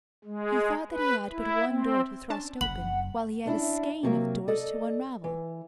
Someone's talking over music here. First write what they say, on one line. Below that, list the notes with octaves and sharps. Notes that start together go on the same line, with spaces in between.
He thought that he had but one door to thrust open, while he had a skein of doors to unravel.
G#3
B4
E4
C4
C#4 D4 A5
F#1 F#2 F#5 B5 F#7
C#4 D4 E4
C3 F#3 A#3
A4 D5 D#5
E3